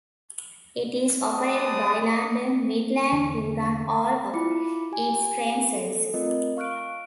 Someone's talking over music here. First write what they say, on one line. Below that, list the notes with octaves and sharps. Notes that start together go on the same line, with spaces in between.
It is operated by London Midland, who run all of its train services.
G#3 G4 B4 D5 A5 D#6
E2 D3
E4 F4 B5 D6 C#7
G4 G#5
A4
A3 C4 F4 A#4 D#5
F5 C#6 F6 F#6 D7